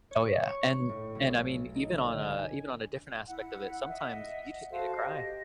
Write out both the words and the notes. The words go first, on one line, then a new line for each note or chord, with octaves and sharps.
Oh yeah. And and I mean, even on a even on a different aspect of it, sometimes you just need to cry.
C#5
C#6
A2
B1
D#4
D3
G#5
E4 F#5
D#5 E5 F#5
F#4 A4 C5 F5
G4 D#5